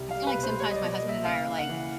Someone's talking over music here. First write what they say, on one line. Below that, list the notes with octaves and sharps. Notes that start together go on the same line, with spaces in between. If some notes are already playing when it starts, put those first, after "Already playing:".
I feel like, sometimes, my husband and I are, like,
Already playing: C2 G3
F5
G3
B4
B2
C5
G3 C#5
D#5
D5
B2
D#5
A#3
E5
C#3 F5
C#3
F#5
E3